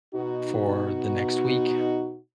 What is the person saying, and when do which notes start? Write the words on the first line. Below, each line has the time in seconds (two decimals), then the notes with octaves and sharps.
for the next week
0.15 B2 D#4 F#4